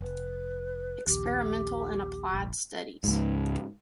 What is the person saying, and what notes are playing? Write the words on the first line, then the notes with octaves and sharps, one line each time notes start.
Experimental and Applied Studies.
F1 B4
A#1 D#2 G4
F1 A#1
C#2 G#2